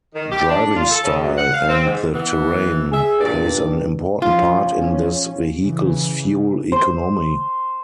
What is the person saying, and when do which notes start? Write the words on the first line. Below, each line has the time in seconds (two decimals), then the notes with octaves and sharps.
Driving style and the terrain plays an important part in this Vehicle's fuel economy.
0.15 D#3
0.31 G4
0.49 D4
0.76 F4
0.91 A4
1.04 C#3
1.22 F#2
1.37 F#5
1.54 F5
1.69 C4
1.86 G#2
2.15 E3 B3
2.92 G#4 E5
3.20 E2 G2 A#2 D5
4.22 F3 C#4 F4
5.60 C#3 E3
6.72 C5